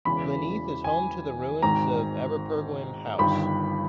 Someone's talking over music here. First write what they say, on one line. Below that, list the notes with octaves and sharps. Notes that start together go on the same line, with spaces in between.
Glynneath is home to the ruins of Aberpergwm House.
E1 E2 C#3 E3 B5
G#5
G#1 G#2 D#3 A#5
G1 G2 D#3 B5